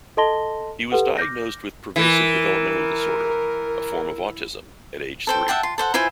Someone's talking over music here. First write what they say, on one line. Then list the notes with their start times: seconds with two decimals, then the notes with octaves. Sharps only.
He was diagnosed with pervasive developmental disorder, a form of autism, at age three.
0.17 A4 D#5 A5 C6 A#6 G7
0.92 G4 A4 B4 F#5
1.18 D6 F6 G6 A#6
1.96 E3 A#4
5.27 A4 C5 G5
5.48 E5 F#5 G5 A5
5.63 F4 C6
5.78 A4 C5 F#5
5.94 E4 F4 C5 G#5